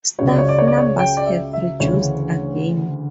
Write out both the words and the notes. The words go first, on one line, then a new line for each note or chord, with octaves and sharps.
Staff numbers have reduced again.
C#2 C#3 F#3 C#5
D5
C#5
D5
C#5
D5
C#5
G5
D5
E5
E5
D2 C#3 E3 C#5